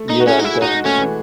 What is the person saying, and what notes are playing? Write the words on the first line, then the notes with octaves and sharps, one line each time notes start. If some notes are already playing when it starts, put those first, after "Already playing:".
Yeah, exactly.
Already playing: A3
D#4
F#4
C#4 G#4
D#4
E4
G#4
D#4 F#4
G#3
A3 C#4
E3